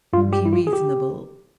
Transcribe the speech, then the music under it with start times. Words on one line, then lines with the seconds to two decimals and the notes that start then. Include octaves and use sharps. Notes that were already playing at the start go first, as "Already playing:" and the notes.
Be reasonable.
0.13 G2 F4
0.18 G3
0.33 G4
0.45 E4
0.53 F4
0.67 G#4
0.73 G4